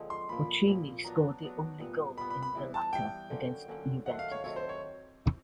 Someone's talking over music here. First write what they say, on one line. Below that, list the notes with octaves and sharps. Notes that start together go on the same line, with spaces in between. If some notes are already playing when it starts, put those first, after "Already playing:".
Bochini scored the only goal in the latter against Juventus.
Already playing: D3 F3 G#3 C4
C6
A#2 F3 A#3 B5
A#2 F3 A#3
F#3 B3 D4 A#5
F#3 B3 D4
A#2 G3 B3
A#2 G3 B3 B5
B5
B5
E3 G3 B3 E4
A5
E3 G3 B3 E4 G5
D3 F#3 A#3 C#4
D3 F#3 A#3 C#4
D#3 F#3 A3 C4 F#5
F5
C#5
D#3 F#3 A3 C4 C#5
C5
C#5